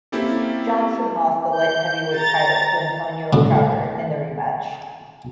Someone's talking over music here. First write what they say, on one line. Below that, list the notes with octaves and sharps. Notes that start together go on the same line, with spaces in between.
Johnson lost the light heavyweight title to Antonio Tarver in the rematch.
A#3 C4 C#4 E4 G4 A4
G6
A#5 A6
A2 D3